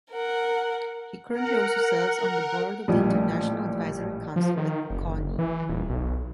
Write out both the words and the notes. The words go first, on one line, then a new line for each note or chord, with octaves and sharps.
He currently also serves on the board of the International Advisory Council at Bocconi.
A#4 F#5
A#4 F#5
A1 A#2 F3 G3
F3
D#3
F#1
E3
D#1
B1